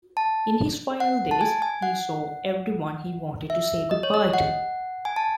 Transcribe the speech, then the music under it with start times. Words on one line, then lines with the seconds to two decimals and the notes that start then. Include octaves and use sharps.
In his final days he saw everyone he wanted to say good-bye to.
0.17 A5
1.00 F#5
1.31 A5
1.41 G#5
1.62 G#5
1.82 F#5
3.50 E5
3.91 D#5
4.03 C#5
4.14 D#5
4.33 F#5
5.05 G#5
5.16 A5